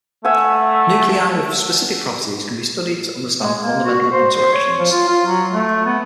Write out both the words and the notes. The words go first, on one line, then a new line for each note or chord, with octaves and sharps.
Nuclei with specific properties can be studied to understand fundamental interactions.
A3 E5 F#5 G#5
G#3
A#3
F#4
C5
C5
C#5
F3
F4
F4
F#3
A3
B3